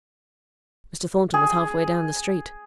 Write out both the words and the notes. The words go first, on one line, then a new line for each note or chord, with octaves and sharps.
Mr. Thornton was half way down the street.
G#4